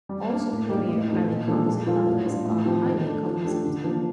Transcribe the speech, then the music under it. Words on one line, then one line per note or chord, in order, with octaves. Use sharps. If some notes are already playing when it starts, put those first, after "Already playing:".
All superior highly composite numbers are highly composite.
G3
A#3 D4
A2
G3 A#3 D#4 G4
A2
F3 A3 D#4
A#2
F3 A#3 D4 A4
A#2
F3 A#3 F4 A4
A2
G3 D4 F4
A2
F3 C4 G4
D#3
A3 D4 A4
F3
A3 D4 G4
D3
F3 A#3 D4